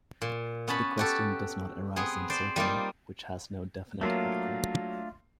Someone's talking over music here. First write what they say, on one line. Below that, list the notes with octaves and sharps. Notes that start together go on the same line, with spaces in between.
The question does not arise in Serbian, which has no definite article.
A#2
B3 C#4 A5 B5
F#4 G4 A4
B3 C4 G#4
C5 D5
G3 A#3 D#4 F4
F#3 A3 A#3 D4 F4